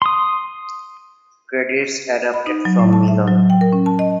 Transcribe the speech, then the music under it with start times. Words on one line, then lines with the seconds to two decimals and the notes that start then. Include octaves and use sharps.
Credits adapted from Melon.
0.02 C6 D#6
2.34 B5
2.47 D#4
2.65 F#3
2.79 A2
2.93 A5
3.08 E5
3.28 F#3
3.50 G5
3.61 A#4
3.73 C#4
3.86 A5
3.99 D#5